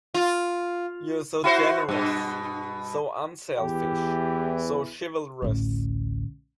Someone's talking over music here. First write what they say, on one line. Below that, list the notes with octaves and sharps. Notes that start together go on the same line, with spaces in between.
You are so generous, so unselfish, so chivalrous.
F4
E4 F#4 C5
G2 B2
E2 E3 G4
A1 D2